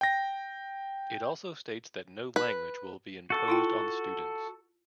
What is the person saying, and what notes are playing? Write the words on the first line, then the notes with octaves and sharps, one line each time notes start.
It also states that no language will be imposed on the students.
G5 A#6
B4
F#4 A4
E4 F4 G5